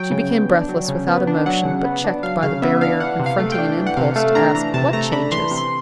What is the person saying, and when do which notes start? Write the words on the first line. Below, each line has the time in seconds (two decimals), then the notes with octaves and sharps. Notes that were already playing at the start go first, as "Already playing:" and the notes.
She became breathless, without emotion, but checked by the barrier confronting an impulse to ask, what changes?
Already playing: F#3 G5
0.11 C#3
0.31 B3
0.50 D4
0.69 F#3
0.88 C#3
1.08 B3
1.27 D4
1.46 F#3 F#5
1.65 C#3
1.85 B3
2.04 D4
2.23 F#3 F5
2.43 C#3 F5
2.62 B3 E5
2.81 D4 F5
3.00 E3 F#5
3.19 C3
3.26 F5
3.39 A3
3.52 G5
3.58 D4
3.77 E3
3.87 F#5
3.97 C3 F5
4.16 A3 F5
4.35 D4 A#5
4.54 E3 A#5
4.74 C3 A5
4.93 A3 A#5
5.12 D4 B5
5.32 E3 C6
5.51 C3
5.57 C6